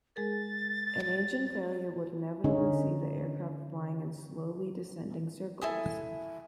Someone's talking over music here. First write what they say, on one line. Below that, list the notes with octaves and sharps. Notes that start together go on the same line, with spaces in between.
An engine failure would inevitably see the aircraft flying in slowly descending circles.
G#3 G#4 A#4 A6
D3 C#4 D#4
E4 A4 G#5 D#6